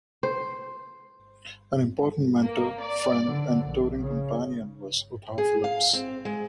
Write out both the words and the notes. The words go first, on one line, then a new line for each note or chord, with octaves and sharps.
An important mentor, friend and touring companion was Utah Phillips.
C5
A#3
D5
D3
A#1
C#3
G#4
F5
C4
G#3